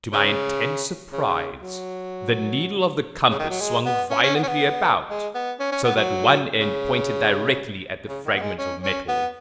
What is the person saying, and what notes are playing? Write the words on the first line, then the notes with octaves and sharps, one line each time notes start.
To my intense surprise the needle of the compass swung violently about, so that one end pointed directly at the fragment of metal.
C#3
C#3
F#3
C#3
D#3
F#3
G#3
B3
C#4
C#4
B3
C#4
B3
G#3
B3
C#4
C#4
B3
F#3
C#3
C#3
D#3
B3
G#3
C#4
C#4
B3